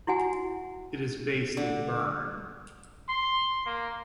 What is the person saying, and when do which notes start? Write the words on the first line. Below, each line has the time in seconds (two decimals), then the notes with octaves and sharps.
It is based in Bern.
0.07 E4 F#4 F#5 G#5
1.57 D3
3.09 C6
3.66 A#3